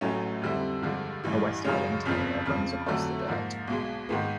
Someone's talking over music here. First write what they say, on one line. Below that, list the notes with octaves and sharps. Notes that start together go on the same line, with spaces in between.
A West Highland Terrier runs across the dirt.
A1 A2 F#3 A3 C#4
F2 D3 G3 C4 E4
G2 D3 F3 G#3
A1 G2 E3
F#2 C#3 F3 G#3 C#4
G1 F2 C#3 F3
F2 C#3 F3
F2 D3 F#3 A3
G#2 F3 A#3
B1 B2 G#3
G#2 D#3 G#3 B3